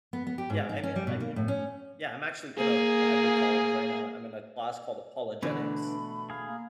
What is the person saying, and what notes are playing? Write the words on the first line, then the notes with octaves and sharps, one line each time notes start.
Yeah, I’m in I’m in Yeah, I'm actually in a bible college right now, and I'm in a class called Apologetics.
B3
B3
G4
G#2
D#4
C#4
G3
B2
A#3
A2
C#4
A#3 G#4
B2 D3 E3 B3 C#4 D4 F#5 B5
A3
G#4 F5
A#3